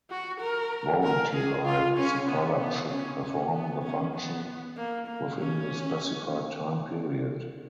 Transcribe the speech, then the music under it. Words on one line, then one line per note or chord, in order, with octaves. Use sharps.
Warranty life is the product should perform the function within the specified time period.
F#4
A#4
A#4
G#4
F4
C#4
B3
B3
C#4
C#4
B3
C#4
B3
A#3
A#3
C#4